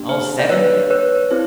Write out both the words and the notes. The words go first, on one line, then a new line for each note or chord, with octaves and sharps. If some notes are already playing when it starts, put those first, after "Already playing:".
"All seven?"
Already playing: A#3 D4 G4
C5
D5
B4 C#5
B4 C#5
C4 E4 G4 C5